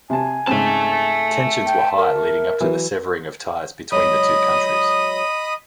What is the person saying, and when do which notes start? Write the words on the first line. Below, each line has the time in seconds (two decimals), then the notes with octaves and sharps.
Tensions were high leading up to the severing of ties between the two countries.
0.10 C3 G#5 A5
0.47 G#2 C#3 C4 E5 A5
1.66 G5
1.97 A#4
2.60 E3 F#3
3.92 F#3 G#3 D#5 B5 D#6